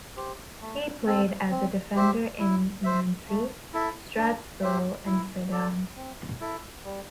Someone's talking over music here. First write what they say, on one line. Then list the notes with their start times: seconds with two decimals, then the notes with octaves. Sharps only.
He played as a defender in Nancy, Strasbourg and Sedan.
0.17 G4 C5
0.62 A3
1.06 C4 A4
1.51 C4
1.95 G4 C5 E5
2.40 E4
2.84 C5 E5
3.29 A3
3.74 E4 A4 E5
4.18 D4
4.62 G4 C5 E5
5.06 E4
5.52 A4 D5
5.96 C4
6.40 E4 A4 E5
6.85 G3